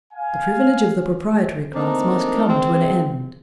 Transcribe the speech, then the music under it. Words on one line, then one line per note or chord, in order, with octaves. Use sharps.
The privilege of the proprietary class must come to an end.
F5 G#5
A3 A#3 C4 D4 D#4 A#4
G#3 C4